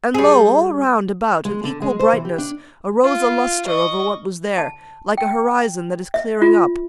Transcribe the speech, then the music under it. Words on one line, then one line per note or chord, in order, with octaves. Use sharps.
And lo! all round about of equal brightness Arose a lustre over what was there, Like an horizon that is clearing up.
G3 G#4
G#3
D3
G#3
C5
E3
G4
D4
F4
D#5 C#6
A5
G5
E5
F4